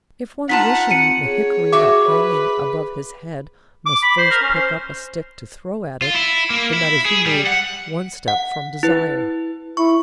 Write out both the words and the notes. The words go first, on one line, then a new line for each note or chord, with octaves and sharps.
If one wishing the hickory-nut hanging above his head must first pick up a stick to throw at it, the nut is removed one step from desire.
D#4 F4 F#5 A5 B6
C4 C#7 D#7
G#4 C#5
F#4 E5 D6
B4
D6
B5
C5
A#4
C#4
C5
F4
E4
A#3
E4
G#4
G3
F#5
F#5
E4 B4
E4 C#6